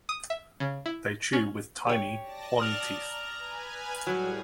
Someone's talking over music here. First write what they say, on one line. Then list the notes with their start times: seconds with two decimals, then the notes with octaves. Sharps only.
They chew with tiny, hornyteeth.
0.09 D#6
0.30 E5
0.60 C#3
0.86 E4
1.33 C#4
1.87 G4 C#5
2.22 D5 A5 A#6
2.60 D#6 F6 F7
2.96 A#5
3.38 B4 G#5
4.07 A2 F#3 G3 G#4